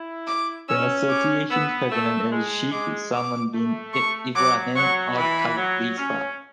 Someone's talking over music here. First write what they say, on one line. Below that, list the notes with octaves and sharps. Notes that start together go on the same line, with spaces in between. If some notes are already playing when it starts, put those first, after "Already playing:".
The Association's President is Sheikh Salman Bin Ibrahim Al-Khalifa.
Already playing: E4
D6
C#4 E6
D6
B3 E6
A3 E6
G#3
G#3 D6
D6
A3
C#6
F#3 D6
F#3 C#6
E3 B5
F#3
C#4